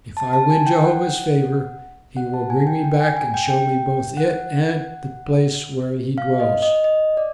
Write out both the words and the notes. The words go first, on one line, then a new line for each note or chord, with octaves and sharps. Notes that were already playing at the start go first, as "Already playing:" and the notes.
If I win Jehovah's favor, he will bring me back and show me both it and the place where he dwells.
A5
A5
G#5
G5
F#5
F#5
A5
G#5
G5
G5
G#5
G#5
G5
G5
F#5
F5
D#5
D#5
D#5
D5